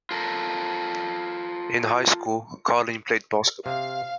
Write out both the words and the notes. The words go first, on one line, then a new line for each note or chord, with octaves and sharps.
In high school, Carlene played basketball.
F4 A4 A#4
C3 F5